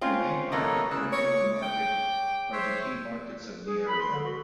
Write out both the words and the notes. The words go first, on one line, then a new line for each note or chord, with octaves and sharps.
The Main Market and Nehru Market are the key markets of the area.
C4 C#4 F4
F#2 E3 A#3 A4 C#5 D#5
C#3 E4 E6 F#6
C#5 D6
G5
C5 C#5 E5
G#4
B5
C6
D3
F#4